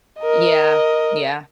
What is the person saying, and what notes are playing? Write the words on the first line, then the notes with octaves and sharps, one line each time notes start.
Yeah, yeah.
A#4 D#5